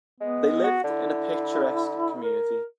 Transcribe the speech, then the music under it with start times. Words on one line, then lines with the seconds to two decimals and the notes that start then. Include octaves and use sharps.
They lived in a picturesque community.
0.20 G#3 B3
0.64 F#4
0.84 D3 E4
2.23 A#4